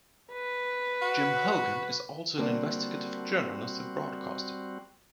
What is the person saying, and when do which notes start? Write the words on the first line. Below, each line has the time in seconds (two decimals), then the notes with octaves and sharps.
Jim Hougan is also an investigative journalist and broadcaster.
0.33 B4
1.02 F#4
2.38 D3 G3 A#3 C4 D4 F#4